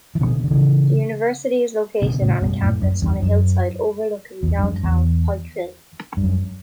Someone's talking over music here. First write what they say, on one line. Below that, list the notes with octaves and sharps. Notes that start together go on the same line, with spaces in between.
The university is located on a campus on a hillside overlooking downtown Pikeville.
E3
B2 D3
D3
C#3 E3
B2 D3
A2 C#3
G2 B2
F#2 A2
F#2
E2 G2
F#2
E2
G2
F#2
E2
G2
F#2